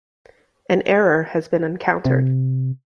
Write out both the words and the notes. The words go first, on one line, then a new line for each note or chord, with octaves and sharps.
An error has been encountered.
C3